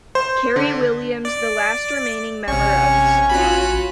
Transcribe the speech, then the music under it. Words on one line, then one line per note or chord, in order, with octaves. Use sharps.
Kerry Williams, the last remaining member of his squad.
C5
D3
D5
A1 C3 C#4 C#6
F4 F#4 B5 F#6